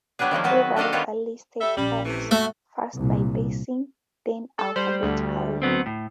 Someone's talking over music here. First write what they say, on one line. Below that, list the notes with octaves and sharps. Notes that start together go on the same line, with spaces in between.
Rivers are listed twice, first by basin, then alphabetically.
F#3 G3 B3 D4 G#4
D#3 F3 F#3 A#3
F#3 B3 F#4 B4
D#3 D4 A4 D#5 F5
D#3 G3 B3 F4 C#5
G3 A4 E5
A#1 G3 C#4
C3 E3 A3
A3 F#4 E5
C2 A#2
A4
G3 C5
D2
F#3 B3 C4
A2